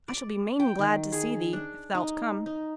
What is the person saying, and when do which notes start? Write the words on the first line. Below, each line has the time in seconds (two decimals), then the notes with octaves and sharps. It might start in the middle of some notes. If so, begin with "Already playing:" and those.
I shall be main glad to see thee; if thou'lt come.
0.08 D5
0.60 G5
0.79 D#3
1.12 G#4
1.53 D4
1.95 D#4
2.46 D#4